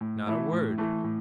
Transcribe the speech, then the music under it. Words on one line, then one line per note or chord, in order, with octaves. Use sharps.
"Not a word."
A2
E3 A3 E4
A2
E3 A3 E4
A2